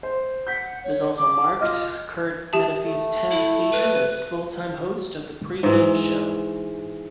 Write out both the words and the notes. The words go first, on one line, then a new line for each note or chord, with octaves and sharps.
This also marked Curt Menefee's tenth season as full-time host of the pregame show.
C5
F#5 G6 B6
C#5
D6
F4 D#5 F6
G4 E5 A5
A3
E4
B4
G#2 E3